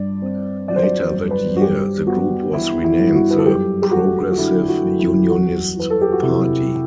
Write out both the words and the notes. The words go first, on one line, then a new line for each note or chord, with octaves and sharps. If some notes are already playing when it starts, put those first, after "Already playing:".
Later that year, the group was renamed the "Progressive Unionist Party".
Already playing: G2 D5
C4
F#3 D5
C5
D5
C5
G2
B4
F#4
G2 G4
B3 F#4
E3 E4
E4
G2
F#4
B4
A4
F#2 G4
G4
A3 F#4
F#4
D3 E4
F#4
F#2
E4
E2 F#4
E3 B4
A4
G4
F#4
C3 E4